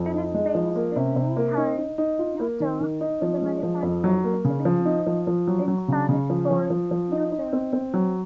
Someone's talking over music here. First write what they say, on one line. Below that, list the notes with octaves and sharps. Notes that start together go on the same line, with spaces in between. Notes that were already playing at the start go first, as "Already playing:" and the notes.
It is based in Lehi, Utah, with a manufacturing facility in Spanish Fork, Utah.
Already playing: F2
D#4
G#3
F3
A#3
C3
C3
A#3
D#4
D#4
D#4
F4
A#3
D#3
D#3
D#4
F3
G#3
F3
F2
F#3
A#3
C#3
F3
D#4
F3
F3
F#3
F#3
C#3
C#3
F3
F3
F3
F3
D#4
D#4
C4
C4
F#3